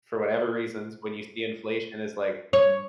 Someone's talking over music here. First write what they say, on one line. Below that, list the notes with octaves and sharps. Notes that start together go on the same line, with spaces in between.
for whatever reasons, when you see inflation is like
C#5